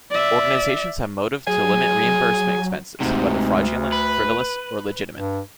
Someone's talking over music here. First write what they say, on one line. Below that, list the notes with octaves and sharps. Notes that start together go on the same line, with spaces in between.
Organizations have motive to limit reimbursement expenses, whether fraudulent, frivolous, or legitimate.
D5 E5
F#3 G#4 G#5
D2 G#2 C3
B4
G2